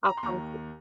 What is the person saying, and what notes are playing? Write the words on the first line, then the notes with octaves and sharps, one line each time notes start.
I'll come to"
A#5
C6
D#2 D#3 A#5